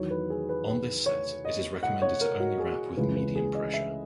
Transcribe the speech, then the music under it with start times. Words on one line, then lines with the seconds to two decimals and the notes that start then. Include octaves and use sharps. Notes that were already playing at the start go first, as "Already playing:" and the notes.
On this set, it is recommended to only wrap with medium pressure.
Already playing: E2 D#3 F#3 C#5
0.11 B4
0.30 G#4
0.49 B4
0.68 B4
1.06 C#5
1.45 D#5
1.83 F#5
2.02 C#5
2.21 A#4
2.40 F#4
2.59 G#4
2.97 C#2 C#3 E3 G#3 B4
3.16 B4
3.36 G#4
3.54 D#5
3.74 E5